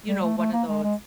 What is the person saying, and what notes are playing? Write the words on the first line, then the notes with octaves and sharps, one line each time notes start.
you know, one of those,
G3
A3
A3
A#3
G#3
G#3